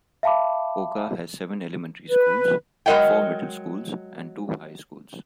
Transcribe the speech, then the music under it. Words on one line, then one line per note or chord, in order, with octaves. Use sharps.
Oga has seven elementary schools, four middle schools and two high schools.
E5 F5 A5 B5 D6
B4
F#3 G#3 A#4 D#5 F#5 G5